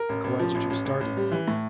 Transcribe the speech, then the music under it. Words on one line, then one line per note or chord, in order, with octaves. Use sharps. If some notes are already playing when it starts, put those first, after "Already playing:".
The coadjutor started.
Already playing: A#4
A1
A1
F3
A1
A1
A1
A1
G3
E3
A2